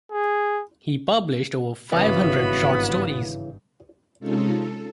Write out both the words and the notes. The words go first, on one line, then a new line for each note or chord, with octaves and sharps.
He published over five hundred short stories.
G#4
G#1 G2 C#3 E3 B3 F#4 B5
C3 G#3 C#4 D#4 F4 A4
A4